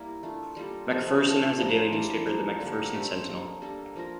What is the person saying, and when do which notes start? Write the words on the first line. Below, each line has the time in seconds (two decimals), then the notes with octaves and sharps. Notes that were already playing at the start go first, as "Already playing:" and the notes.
McPherson has a daily newspaper, "The McPherson Sentinel".
Already playing: G3 A#3 E4
0.23 A3 D4 F4
0.57 G3 A#3 F4 A4
0.91 C3 F3 A3
1.25 A3 D4 A4
1.58 F3 A#3 D4 F4
1.92 E3 G3 D4
2.26 F3 A#3 D4
2.60 D3 G3 A#3
2.94 A3 C4 G4
3.29 A#3 D4 A4
3.62 G3 A#3 D4 A4
3.96 F3 A#3 F4 A#4